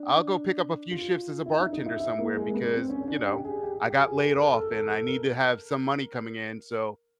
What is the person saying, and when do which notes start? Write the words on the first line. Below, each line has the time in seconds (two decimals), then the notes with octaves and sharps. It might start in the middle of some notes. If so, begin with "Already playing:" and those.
I'll go pick up a few shifts as a bartender somewhere because, you know, I got laid off and I need to have some money coming in, so
Already playing: D4
0.91 F4
1.46 E4
1.60 D#4
1.73 D#4
1.86 E4
2.00 E4
2.18 A#3
2.37 G#3
2.47 A#3
2.54 B3
2.73 C4
2.90 C#4
3.02 C#4
3.08 D4
3.26 G4
3.45 G#4
3.63 G4
3.90 G4
4.03 G#4
4.17 A#4
4.35 A#4
4.53 A4
4.71 A4
4.89 A4
5.06 A#4